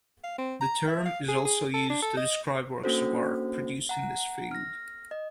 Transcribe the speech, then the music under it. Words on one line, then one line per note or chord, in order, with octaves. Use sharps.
The term also is used to describe works of art produced in this field.
F5
C4
A#5
E5
F5
G#4
G#4
A4
D4
A4
D#5
A#3 C#4 D4 F#4 A4 C5
F#5 A#5
F6 A#6
D#5